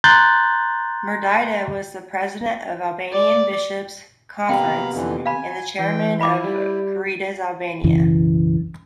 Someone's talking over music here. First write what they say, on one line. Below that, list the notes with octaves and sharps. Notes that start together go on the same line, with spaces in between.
Mirdita was the President of Albanian Bishops Conference and the Chairman of "Caritas Albania".
A#5 C6 F#6 G6 A6
D5
C3 A#3 B3 F5 G5 A#5 B5
F2 D3 E3
F5 G#5 B5
E3 G5
E4 B5 D6
G3
B1 F#2 C#3 E3